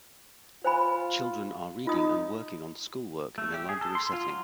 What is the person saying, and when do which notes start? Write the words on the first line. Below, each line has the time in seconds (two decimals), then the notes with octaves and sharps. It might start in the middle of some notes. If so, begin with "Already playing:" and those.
Children are reading and working on schoolwork in a library setting.
0.64 F4 C5 G#5 B5
1.87 D#4 F4 D#6
3.38 A3
3.54 G4
3.69 G#4
3.81 A4
3.95 C6
4.13 F4
4.28 F#3